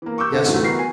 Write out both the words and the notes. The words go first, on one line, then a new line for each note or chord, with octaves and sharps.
"Yes, sir."
E3 A#3
C#6 D6 E6 G6
D3 A4
G#2 C3 E3 F#3 A3
E3 B3 F#4 A#4 C7
G#5